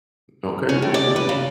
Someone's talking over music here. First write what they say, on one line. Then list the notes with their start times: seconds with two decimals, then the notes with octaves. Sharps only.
Okay, will do.
0.69 C#4
0.82 A2
0.94 D5
1.16 B4
1.29 C#3